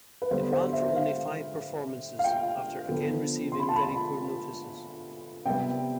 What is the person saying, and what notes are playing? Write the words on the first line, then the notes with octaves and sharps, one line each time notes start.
It ran for only five performances after again receiving very poor notices.
B4
D3 G3 B3 C5
C5
E5
F5
F5
G5
D3 F3 B3
C6
B5
A5
B5
C3 G3 B3 G5